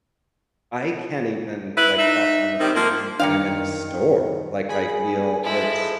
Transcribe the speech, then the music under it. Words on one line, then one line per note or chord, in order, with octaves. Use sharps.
I can't even, like, talk on the phone when I'm in a store, like, I feel it's
E4 B4
D#4 E5
D#3 G3 C4
F3 A#3
F#2 D#3 A#3 D4 D5 F5 G5 C#7
G#4 G#5 B5
F3 G#3 E4 A4